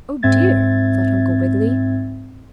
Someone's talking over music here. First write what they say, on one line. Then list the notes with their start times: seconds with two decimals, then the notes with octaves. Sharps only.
"Oh, dear!" thought Uncle Wiggily.
0.23 G#2 C4 E5 G#6 A6